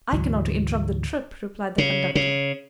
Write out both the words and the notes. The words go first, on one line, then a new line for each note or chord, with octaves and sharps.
"I cannot interrupt the trip," replied the conductor.
D2 G#2 E3 F#3
C#3
C#3